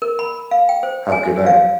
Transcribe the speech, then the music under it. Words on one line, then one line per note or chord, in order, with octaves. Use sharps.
Have a good night.
A#4
B5
F5
G5
C5
G#5
F5